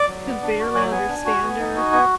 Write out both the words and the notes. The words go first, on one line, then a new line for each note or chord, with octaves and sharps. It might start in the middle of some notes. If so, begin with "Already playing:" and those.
you could barely understand her,
Already playing: D5
F#3
B3
D4
F#4
F#3 G#5
B3 G#5
D4
F#4
B3
D#4
F#4
B3